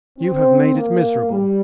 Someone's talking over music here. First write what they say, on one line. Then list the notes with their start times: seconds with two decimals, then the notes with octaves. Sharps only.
You have made it miserable.
0.19 C4
0.74 A#3
1.30 G3